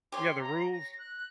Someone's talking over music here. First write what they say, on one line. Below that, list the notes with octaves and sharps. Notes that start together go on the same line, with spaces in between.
Yeah, the rules.
G4 C#5 C6
A#5
A#6
F#6